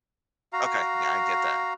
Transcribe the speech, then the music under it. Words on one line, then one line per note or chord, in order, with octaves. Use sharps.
Okay. Yeah, I get that.
F#4 F5 A#5